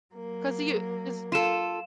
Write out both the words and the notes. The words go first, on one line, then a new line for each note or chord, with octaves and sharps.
'cause you this
F#3 A#3
F4 A4 F5 E7